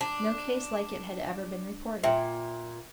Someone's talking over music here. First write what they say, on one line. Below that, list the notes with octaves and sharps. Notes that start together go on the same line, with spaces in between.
No case like it had ever been reported.
D4 A5
A#2 E5 G5